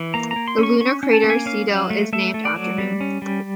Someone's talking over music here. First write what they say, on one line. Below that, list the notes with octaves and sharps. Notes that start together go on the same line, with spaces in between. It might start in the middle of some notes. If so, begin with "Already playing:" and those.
The lunar crater Seidel is named after him.
Already playing: E3
A#3 A#5
A#5
A#3
C6
C#4 C#6
C#4 C#6
C#4
A5
A#3
G#5
C#4 F5
F#3
A3
A3 E5
A3
D5
F#3
G3
C#4
G3